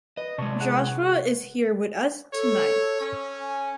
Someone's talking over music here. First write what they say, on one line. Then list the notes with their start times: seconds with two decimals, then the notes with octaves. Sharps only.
Joshua is here with us tonight.
0.17 B4 D#5
0.38 C3 G#3 D5 A5 C#6
0.61 G#4 F#5 F#6
2.33 A4 C#5
3.01 C#4
3.40 G#5